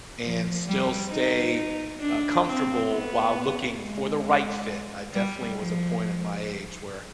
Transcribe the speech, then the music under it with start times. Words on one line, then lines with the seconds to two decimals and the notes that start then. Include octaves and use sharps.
and still stay, uh, comfortable while looking for the right fit. I definitely was a point at my age where
0.22 F3
0.68 G3
1.11 D#4
2.01 D4
2.46 C4
2.89 B3
3.78 G#3
5.13 G3
5.57 F3